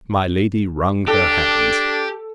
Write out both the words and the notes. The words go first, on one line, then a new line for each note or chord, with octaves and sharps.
My Lady wrung her hands.
D4 G4 A4